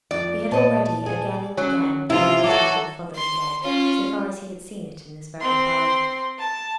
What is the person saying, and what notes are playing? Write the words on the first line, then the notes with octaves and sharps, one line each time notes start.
He had already again and again told the tale of Fotheringay so far as he had seen it in this very parlour.
F2 D5
A#2 B4 C#5 D#5 A5
G#4
F#3 C#4
C3 E3 F3 E4 F4
F#3 F#4 A4 D6
C6
C#4 F4
C4 C6
A5